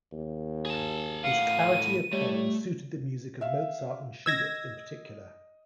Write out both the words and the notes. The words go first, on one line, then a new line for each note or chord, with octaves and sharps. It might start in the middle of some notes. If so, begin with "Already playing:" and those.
His clarity of playing suited the music of Mozart and Schubert in particular.
D#2
G#4 A5
A2 F5 F#5 D#7
G3 A3 C#5
E5 F5
D#5 E6 G#6 A#6